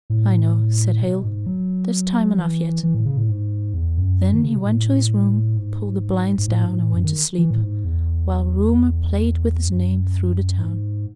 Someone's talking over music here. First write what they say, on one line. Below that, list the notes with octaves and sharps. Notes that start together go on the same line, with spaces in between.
"I know," said Hale, "there's time enough yet." Then he went to his room, pulled the blinds down and went to sleep, while rumour played with his name through the town.
A2
B2
G#2
F#3
E3
E3
A2
C#3
A2
G#2
E2
F#2
D#3
C#3
B2
A2
G#2
G#2
A2
G#2
A2
F#2
D#3
E3
A2
G#2
E2
F#2
G#2